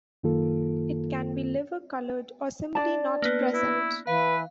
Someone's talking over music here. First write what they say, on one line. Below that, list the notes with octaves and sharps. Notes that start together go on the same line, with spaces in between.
It can be liver colored or simply not present.
F#2 D#3 A#3 F4 A4
D4 D5 A5
A#3 B3 B4
E4
E3 B4 F5